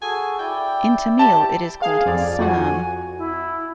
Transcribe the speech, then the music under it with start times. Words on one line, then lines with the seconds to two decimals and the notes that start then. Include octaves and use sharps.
In Tamil, it is called "saaN".
0.02 F#4 G#4 A4 G#5
0.39 E4 D5 G5
1.19 G4 A5
1.82 G#4 F5
2.06 F2 D5
2.39 F2 F#4 G#5
3.18 E4